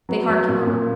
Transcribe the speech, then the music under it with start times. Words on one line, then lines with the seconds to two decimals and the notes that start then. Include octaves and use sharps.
They hark him on.
0.09 F#3 B3
0.29 F#3
0.48 A#2
0.67 A#2